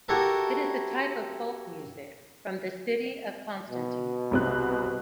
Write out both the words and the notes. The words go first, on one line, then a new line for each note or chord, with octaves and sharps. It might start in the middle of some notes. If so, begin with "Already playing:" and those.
It is a type of folk music from the city of Constantine.
E4 F#4 G4 A4 A#4 E5
B2
C2 C4 F#6